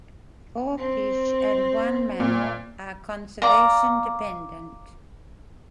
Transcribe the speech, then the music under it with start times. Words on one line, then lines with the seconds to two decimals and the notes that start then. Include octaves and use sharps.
Four fish and one mammal are conservation dependent.
0.77 C4
2.20 A#2
3.42 D5 F5 A#5